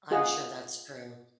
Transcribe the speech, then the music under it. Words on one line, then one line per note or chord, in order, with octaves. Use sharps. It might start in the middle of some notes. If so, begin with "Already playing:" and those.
I'm sure that's true.
F4 G#4 D#5 F#5